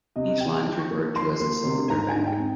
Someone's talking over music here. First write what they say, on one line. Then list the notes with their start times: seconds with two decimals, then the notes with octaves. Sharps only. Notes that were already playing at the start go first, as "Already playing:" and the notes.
Each line is referred to as a cylinder bank.
0.16 C3 D#5
0.40 C3 G5
0.66 F3
0.78 C#6
0.91 A#3
1.15 F3 C6
1.40 A#3
1.65 C3
1.90 G#2 A#5
2.09 G#5
2.15 G#2
2.27 G5
2.40 C4